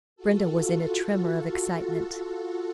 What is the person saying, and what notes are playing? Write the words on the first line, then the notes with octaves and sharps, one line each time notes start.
Brenda was in a tremor of excitement.
F4 F#4 A4